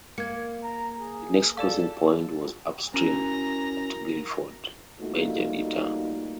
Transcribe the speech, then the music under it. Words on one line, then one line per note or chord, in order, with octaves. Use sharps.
The next crossing point was upstream at Guildford, a major detour.
A#3 G#6 C#7
A#5
G#4
G#4 A4 D5 F5
C#4 E4 F#4 A#4 A#5
G3 A3 A#3 D#4 F4 F#4